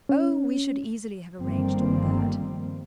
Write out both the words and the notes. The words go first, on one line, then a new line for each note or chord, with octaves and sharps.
'O, we should easily have arranged all that.
C#4
G1 D#3 F3 G3 A#3 C4